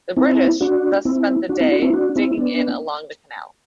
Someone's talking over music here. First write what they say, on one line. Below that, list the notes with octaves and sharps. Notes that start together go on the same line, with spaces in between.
The British thus spent the day digging in along the canal.
C4 E4
D4 F#4
C4 E4
D4 F#4
C4 E4
D4 F#4
C4 E4
D4 F#4
C4 E4
B3 D4